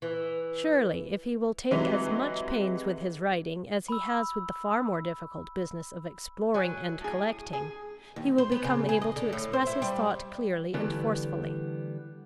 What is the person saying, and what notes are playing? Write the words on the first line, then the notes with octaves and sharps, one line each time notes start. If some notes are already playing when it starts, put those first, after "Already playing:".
Surely, if he will take as much pains with his writing as he has with the far more difficult business of exploring and collecting, he will become able to express his thought clearly and forcefully.
E3
C3 E3 F#3 G#3 D#4 B4
B5 E6
F#3 G#5
A2 G#4
G#4
D#2
C5
B3
C#3
G#4
D#5
D3
A2
C5
E4
G3
D3 E3 G3 A3 B3